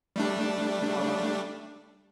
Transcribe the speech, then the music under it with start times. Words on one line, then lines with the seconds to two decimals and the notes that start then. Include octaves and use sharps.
You fall off?
0.16 G3 A3 D4